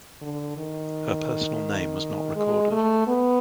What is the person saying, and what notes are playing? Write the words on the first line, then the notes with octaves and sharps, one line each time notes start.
Her personal name was not recorded.
D3
D#3
G#3
A3
B3